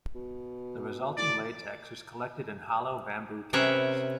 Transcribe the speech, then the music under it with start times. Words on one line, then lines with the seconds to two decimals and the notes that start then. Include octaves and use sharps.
The resulting latex is collected in hollow bamboo canes.
0.15 B2
1.18 A2 D5
3.53 C3 C#4 A#4 B4 E5